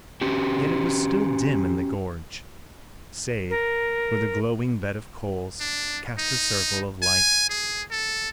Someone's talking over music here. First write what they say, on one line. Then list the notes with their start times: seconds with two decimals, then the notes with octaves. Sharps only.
Yet it was still dim in the gorge, save where the glowing bed of coals cast a circle of light.
0.21 C#4 F#4 G4
3.50 A#4
5.60 D4
6.18 D#4
7.03 G#5
7.50 G#4
7.91 A4